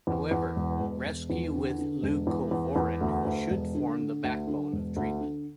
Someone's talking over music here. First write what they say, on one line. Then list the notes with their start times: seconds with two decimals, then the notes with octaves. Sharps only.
However, rescue with leucovorin should form the backbone of treatment.
0.07 E2
0.31 E2
0.56 E1
0.80 E1
1.05 E1
1.30 E2
1.54 D3
1.78 D3
2.02 E1
2.27 E2
2.51 E2
2.76 E2
3.01 D2
3.25 D2
3.50 E1
3.75 D3
3.99 D3
4.24 D2
4.47 D3
4.72 E1
4.96 D2
5.21 D3